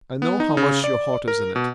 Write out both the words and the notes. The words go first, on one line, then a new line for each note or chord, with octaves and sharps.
I know how much your heart is in it.
B3
D#4
C#3
D5
A#4
B2